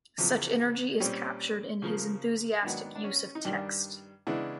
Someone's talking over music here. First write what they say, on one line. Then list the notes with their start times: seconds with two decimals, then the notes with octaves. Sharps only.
Such energy is captured in his enthusiastic use of text.
0.18 E2 C#3 F3
1.00 A#2 G3 C4 C#4
1.82 C#3 F3 A#3
2.63 G#2 D#3 F#3 B3 D4
2.96 D4
3.04 C#4
3.35 D#4
3.45 G2 D#3 G3 D4
4.27 C#3 E3 G#3 B3 D4 E4